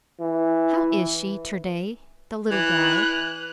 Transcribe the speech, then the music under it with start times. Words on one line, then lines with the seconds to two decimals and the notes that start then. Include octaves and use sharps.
"How is she, ter-day--the little gal?"
0.20 E3
2.51 E3 F#6